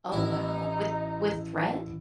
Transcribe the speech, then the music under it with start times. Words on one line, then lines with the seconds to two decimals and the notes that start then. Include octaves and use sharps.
Oh, wow! With with thread?
0.12 A1 D#4 E4